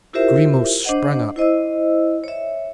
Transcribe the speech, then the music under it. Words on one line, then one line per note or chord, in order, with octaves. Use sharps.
Grimaud sprang up.
E4 F4 G4 A#4 C5 E5
D4 C5 D#5 F#5
E4 C5 D#5 E6
C#5 E5